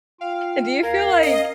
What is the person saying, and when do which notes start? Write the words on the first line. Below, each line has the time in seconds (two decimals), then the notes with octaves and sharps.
And do you feel like
0.21 F4 F5 G5
0.83 D#2 A#4 F5 G#6 A#6
1.23 C#4 D#5